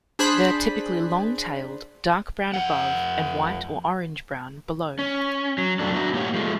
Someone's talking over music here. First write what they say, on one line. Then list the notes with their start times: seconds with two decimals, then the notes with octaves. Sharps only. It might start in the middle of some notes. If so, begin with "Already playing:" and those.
They are typically long-tailed, dark brown above, and white or orange-brown below.
0.19 D4 G#4 C5 B5 F#6 B6
2.54 F2 F#5
4.99 C#4
5.58 F#3
5.79 F2 F#3 A3 D4
5.94 F#3 D4 E4 F#4 A#5
6.14 A2 A#3 G4 C#5 F#5
6.34 F3 G#3 A3